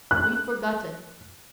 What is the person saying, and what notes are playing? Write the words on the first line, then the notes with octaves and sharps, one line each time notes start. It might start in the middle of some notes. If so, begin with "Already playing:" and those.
We've forgotten.
F#6